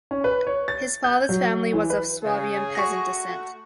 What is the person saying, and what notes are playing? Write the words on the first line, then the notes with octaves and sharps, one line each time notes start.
His father's family was of Swabian peasant descent.
C#4
B4
C#5
A6
G6
F#3
E3
B4
C#3 G#4
A3 F#4 C#6 A#6